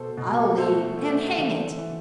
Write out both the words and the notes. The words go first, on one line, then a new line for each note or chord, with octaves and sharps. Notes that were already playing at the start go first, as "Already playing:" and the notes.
I'll lead, and, hang it!
Already playing: B2 A4 C5
B2
A3 A4 C5
A3
E3
E3